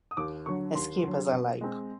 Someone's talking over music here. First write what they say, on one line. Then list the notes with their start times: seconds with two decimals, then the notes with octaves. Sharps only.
Escape as I like.
0.11 D#6
0.17 D#2 D6
0.46 D3 F#3 C#6
0.75 D#2 C6
1.03 D3 F#3
1.32 B2
1.61 G#3 C4